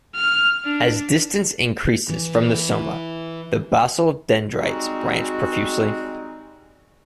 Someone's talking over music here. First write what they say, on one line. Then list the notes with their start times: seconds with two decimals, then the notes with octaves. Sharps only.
As distance increases from the soma, the basal dendrites branch profusely.
0.15 F6
0.65 D4
2.09 E3
4.59 G3 G#3 C4 D#4 F#4